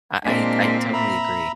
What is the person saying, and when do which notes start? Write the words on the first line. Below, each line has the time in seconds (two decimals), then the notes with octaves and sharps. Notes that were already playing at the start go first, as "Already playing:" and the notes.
I I I totally agree.
0.24 A#2 G#3 C4 D4
0.93 E5 A#5 B5